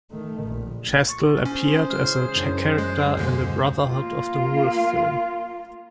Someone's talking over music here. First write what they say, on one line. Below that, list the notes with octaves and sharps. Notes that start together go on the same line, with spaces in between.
Chastel appeared as a character in the "Brotherhood of the Wolf" film.
D#3 A3
A#1
C6 C#6 A6
C#4 G#4 C5
C#3 E3 G#3 F6
F#2 E3 C#4 D4
G#3 F#6
D#2 B2 D3 G#3
A#3 F4